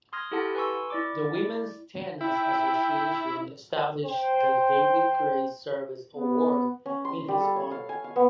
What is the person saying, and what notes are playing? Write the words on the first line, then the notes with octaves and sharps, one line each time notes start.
The Women’s Tennis Association established the David Gray Service Award in his honor.
C6 D#6 F6 G#6 A#6
E4 G4 A4 F#5 A5 C6
B4 G#5 C6 C#6 E6
E4 D5 D6
E4 G5
C5 G5
B3
C#4
C6
G3
A4
C#5
F5
G#5
F5
B3